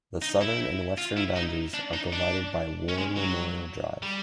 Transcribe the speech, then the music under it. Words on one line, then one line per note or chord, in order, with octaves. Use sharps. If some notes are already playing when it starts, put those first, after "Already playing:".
The southern and western boundaries are provided by War Memorial Drive.
D#4
E4
F4
E4
D#4
D4
D#4
D4
C#4
G#3
F#3
G3